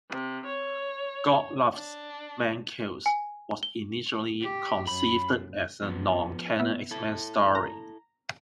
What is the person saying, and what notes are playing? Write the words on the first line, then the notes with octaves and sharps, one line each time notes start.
"God Loves, Man Kills" was initially conceived as a non-canon X-Men story.
C3
C#5
D4
G#5
G7
G4
F#2 B5
F3 B3
B3 E5
E4 A4
A#5